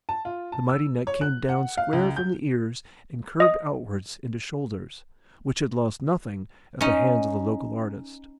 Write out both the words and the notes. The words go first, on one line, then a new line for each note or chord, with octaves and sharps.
The mighty neck came down square from the ears and curved outwards into shoulders, which had lost nothing at the hands of the local artist.
A5
F4
A5
E6
C#5
F#6
F#5
F5
C#2
G6
D#5 D#6
C#4 D#4